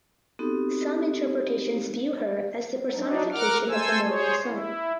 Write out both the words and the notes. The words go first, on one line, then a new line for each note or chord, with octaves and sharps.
Some interpretations view her as the personification of the morning sun.
B3 C4 D#4 F#4 G4 A4
F#3 D4 D#4
A#4 F#5 D6 F6
A4 C5 G#5 E6
G#4 C5 C#5
E4